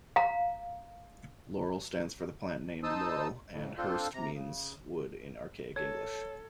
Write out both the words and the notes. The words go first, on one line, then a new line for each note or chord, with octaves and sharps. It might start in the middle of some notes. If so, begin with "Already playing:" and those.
Laurel stands for the plant name Laurel and hurst means wood in archaic English.
F5 A#5
D#4 C5 A5 D#6 E6
F2 A2
C4 D4 F4 A4 C5
C3 A#5
C#3
A4 C#5 G#6